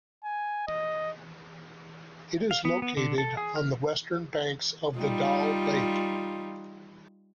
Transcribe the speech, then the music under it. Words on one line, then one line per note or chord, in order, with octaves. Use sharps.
It is located on the western banks of the Dal Lake.
G#5
D#5
F5
B3
B3
D3
A4
G#4
F6
G3 D#4 F4